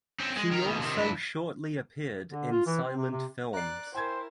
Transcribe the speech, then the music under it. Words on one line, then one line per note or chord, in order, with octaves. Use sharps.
She also shortly appeared in silent films.
C4 C#4
G#3
D#3 A#4
D#2 B2
C3 D#3
G2 E4
D3
F4
E3
C4
C3
C3
D5 A#5 F#6 C7
E4 A#4 C5 G5 G#5 G#6